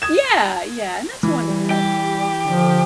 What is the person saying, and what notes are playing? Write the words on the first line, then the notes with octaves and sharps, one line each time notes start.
Yeah. Yeah and that's wonderful.
D#6 G#6 E7
E3
G3
G4
D3 F3